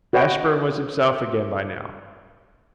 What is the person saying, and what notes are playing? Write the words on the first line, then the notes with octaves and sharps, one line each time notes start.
Ashburn was himself again by now.
F#4 B4 C#5 D#5 G5